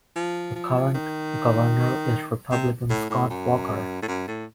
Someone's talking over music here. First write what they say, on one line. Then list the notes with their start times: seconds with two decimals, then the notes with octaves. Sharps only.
The current governor is Republican Scott Walker.
0.16 F3
0.55 F3
0.94 D#3
2.51 C3
2.90 A2
3.10 A2
3.30 F#2
4.02 A2
4.08 F#2
4.28 A2